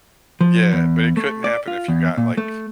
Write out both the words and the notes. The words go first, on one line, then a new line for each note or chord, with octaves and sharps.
Yeah, but it couldn't happen if you got, like,
F3
E2
A3
D5
F4
E2
A#2
A3